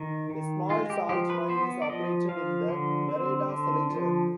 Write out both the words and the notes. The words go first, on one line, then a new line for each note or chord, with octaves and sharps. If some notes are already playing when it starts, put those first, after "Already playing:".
A small salt mine is operated in the "vereda" Salitre.
Already playing: D#3
D#3
G#3 F4
G4
F3 G4
B4
B3 C5
D5
F3 D#5
F3 F5
D3
C4
D3
F3